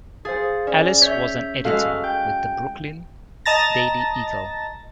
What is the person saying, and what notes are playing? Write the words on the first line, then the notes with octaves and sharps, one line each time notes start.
Alice was an editor with the "Brooklyn Daily Eagle".
G#4 C5 F5 A6
C#4 D5
C#5 E5 G6 B6
G#3 F#4 A4 F5
G5 G6
D#5 A5 A#5 A6 A#6